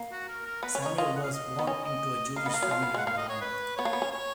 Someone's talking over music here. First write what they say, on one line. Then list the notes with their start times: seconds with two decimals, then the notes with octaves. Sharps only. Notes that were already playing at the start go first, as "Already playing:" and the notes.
Samuel was born into a Jewish family in London.
Already playing: A#3
0.11 F#4
0.28 A#4
0.46 A#4
0.63 B3 B4
0.75 C#4
0.80 C#5
0.86 D#4
0.98 F4 D#5
1.16 F#5
1.24 F5
1.33 D#5
1.59 B3
1.67 C#4 D#5
1.84 D#5
2.36 A#3 F5
2.46 B3
2.49 D#5
2.54 A#3 F5
2.62 F#3
2.71 F3 F5
2.83 B3
2.94 G#3
2.98 F#5
3.06 A#3 F5
3.18 D#5
3.29 C#5
3.41 B4
3.77 B3 C#5
3.85 A#3
3.93 B3
4.02 C#4
4.11 C#5